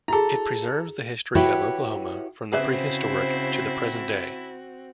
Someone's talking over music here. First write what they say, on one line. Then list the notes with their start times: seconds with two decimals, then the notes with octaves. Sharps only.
It preserves the history of Oklahoma from the prehistoric to the present day.
0.08 E4 F#4 G#4 A4 A#5
1.35 E4 F#4 G4 B4 C#5 E5
2.53 C#3 C4 E4 F#4 G#4 B4 C5 E5